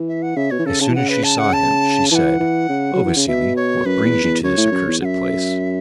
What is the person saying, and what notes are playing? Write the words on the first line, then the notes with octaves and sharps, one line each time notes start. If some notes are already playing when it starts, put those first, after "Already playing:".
As soon as she saw him she said: 'Oh, Vassili, what brings you to this accursed place?'
Already playing: E3
E5
F#5
C#3 E5
B2 C#5
E3
C#3 A4
C#3 A5
E3
C#3 F#5
B4
A5
F#5
A5
E3 F#5 A5
E3
C#3
F#3
E3
C#3
B2 E5
C#5
F#2 B4
E2
E2
F#2 C#5
A2
F#2
E2
F#2 E5 F#5